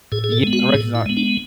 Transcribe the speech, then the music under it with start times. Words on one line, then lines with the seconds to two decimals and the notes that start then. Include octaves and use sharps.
yeah, corrections are
0.12 A2 G#4
0.24 G#4
0.32 A4
0.43 G#3 B3
0.53 F#4
0.74 A2 G#4
0.95 E4
1.06 G#3 B3
1.17 D4